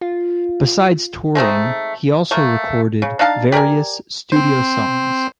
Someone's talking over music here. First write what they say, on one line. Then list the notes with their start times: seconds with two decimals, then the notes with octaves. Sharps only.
Besides touring he also recorded various studio songs.
0.01 F4
1.35 G#3 A3 C4 D#4
2.31 A3 A#3
3.02 C#3
3.19 D4 D#4 F5 A5
3.52 G4 A#4 D5 G#5
4.32 C4 C5